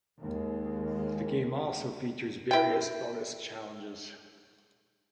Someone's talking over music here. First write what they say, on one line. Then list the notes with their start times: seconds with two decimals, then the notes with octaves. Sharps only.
The game also features various Bonus Challenges.
0.20 D#2 G#3
2.51 E4 G5